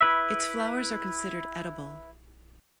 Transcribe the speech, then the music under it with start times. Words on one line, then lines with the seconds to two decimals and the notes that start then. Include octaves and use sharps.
Its flowers are considered edible.
0.01 E4 B4 E5